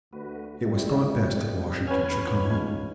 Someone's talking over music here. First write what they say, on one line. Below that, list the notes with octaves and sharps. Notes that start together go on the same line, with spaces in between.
It was thought best that Washington should come home.
D2 A3 F#4 B4
F2 G3 G#3 C4 E4
E2 C#4 B4 F6 G#6
C#2 D#4